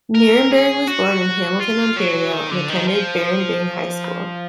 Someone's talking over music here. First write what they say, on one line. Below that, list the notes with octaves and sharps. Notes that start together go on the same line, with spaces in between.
Nirenberg was born in Hamilton, Ontario, and attended Baron Byng High School.
A#4
G#4
F#4
F4
F#3
D#3
D3
D#3
F3